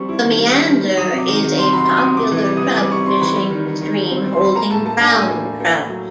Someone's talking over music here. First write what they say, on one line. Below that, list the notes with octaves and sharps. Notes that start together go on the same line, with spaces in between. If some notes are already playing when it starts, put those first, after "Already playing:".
The Meander is a popular trout fishing stream holding brown trout.
Already playing: F3 G3 C4 C#6
E4
D#3
G3
D#3
G3
D#3
F#3 D#6
C3
D6
D#3
D#3
C3 C6
F#3 B5
C6
F#3
D#6
C3
C3 D6
E3
D6
G3
D#6
E3
G3 D6
C3 C#6
C4 C6
E3 B5
G3
D#3
D#3
D#3
G3
C4
C4
C6
G3 B5
A#3 A#5
A2 A5
A#3 A5
D4 A5
G#5
A2 G5
G#5
A#3
A#3
A#3
A2
F#3